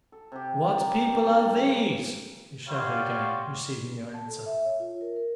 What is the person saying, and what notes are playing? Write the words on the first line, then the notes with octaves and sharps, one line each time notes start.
"What people are these?" he shouted again, receiving no answer.
A4
C3 G4
G4 A4 A#4 D5
D#3 A4 A#4 D5
C#3 G#3 A#3
G3 F4 F#4 C#5 F5
A5
A4
E5
C#5
F4
A#4
A#4